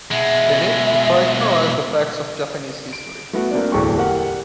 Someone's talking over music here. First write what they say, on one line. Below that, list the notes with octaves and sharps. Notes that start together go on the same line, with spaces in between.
In it he tried to analyze the facts of Japanese history.
B2 G#3 E5
D7
A3 B3 F#4
A#3 C4 D4 D5
D1 E2 G#4 A4 G5 C#6
G4 A#4 F#5